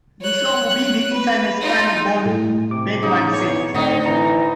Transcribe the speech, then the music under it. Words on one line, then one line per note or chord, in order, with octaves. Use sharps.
"The show will be the Internet's funny bone," Bergman said.
C#5 F#6
B4
D#4 F4
A2 A3
C3 D6
C#3 D#4
E2 C#5
A2 D3 C4 D#4
E3 A#5